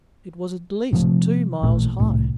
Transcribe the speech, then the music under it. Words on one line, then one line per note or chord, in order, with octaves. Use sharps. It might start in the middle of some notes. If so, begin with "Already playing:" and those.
It was at least two miles high.
C3 F3 A3
A#1 A#2 E3 A3
C2 A2